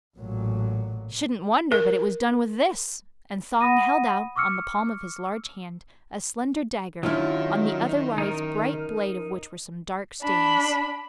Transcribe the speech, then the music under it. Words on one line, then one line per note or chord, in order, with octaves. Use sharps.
"Shouldn't wonder but it was done with this!" and Thong held out, on the palm of his large hand, a slender dagger, on the otherwise bright blade of which were some dark stains.
A1 A#2 F#3
A#4
F#5 B5 D#6 A#6 D#7
C#6 D6 E6 F6 C#7
F#2 D#3 F#3 D4 E4 F4 F6
D#4 A#4
D4 B5